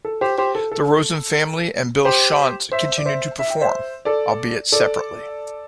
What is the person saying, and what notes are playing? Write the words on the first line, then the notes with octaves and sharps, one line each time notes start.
The Rosen Family and Bill Shontz continue to perform, albeit separately.
A4
G4 C5
G4 C5
A4
A4
G4 C5
C5 E5
D5
C5 E5
E5
G5
C5 E5
A4 D5
A4 D5